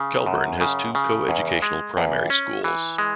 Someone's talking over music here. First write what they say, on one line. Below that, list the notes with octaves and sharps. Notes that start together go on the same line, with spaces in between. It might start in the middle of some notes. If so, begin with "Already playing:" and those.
Kelburn has two co-educational primary schools.
Already playing: C#3
F#2
C#3
C#3
E2
G#3
E2
C#4
E3
G#3